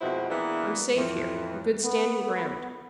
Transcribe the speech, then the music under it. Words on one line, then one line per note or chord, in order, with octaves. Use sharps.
I'm safe here, on good standing-ground.
F2 B2 G#3 E4 F#4 C5
E3 A#3 B3 D4 E4 G#4
F2 A2 E3
B3